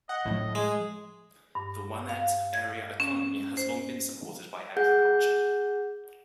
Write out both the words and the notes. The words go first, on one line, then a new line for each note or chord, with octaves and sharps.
The Wanette area economy has long been supported by agriculture.
D#5 F#5
A2 F3 A3
G#3 G#4
G2
F5
G#6
C#4
C5
G#4 F#5 G6